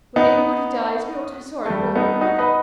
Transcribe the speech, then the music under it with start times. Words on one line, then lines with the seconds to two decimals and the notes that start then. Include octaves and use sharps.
When anybody dies we ought to be sorry for them.
0.16 B3 D#4
1.65 A3
1.70 G3
1.95 B3 D#4
2.21 D#4 F#4
2.38 B4 D#5